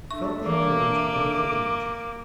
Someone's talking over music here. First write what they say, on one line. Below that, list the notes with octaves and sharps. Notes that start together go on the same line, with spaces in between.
He felt the approach of another danger.
D4 A4 E5 C#6
E3 A#3 D6